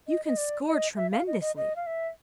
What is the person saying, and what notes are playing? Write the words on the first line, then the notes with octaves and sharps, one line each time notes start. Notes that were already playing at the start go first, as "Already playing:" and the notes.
You can score tremendously.
D#5
D#5
D5
D#5
E5
F5
D#5
D#5
D#5
F5
E5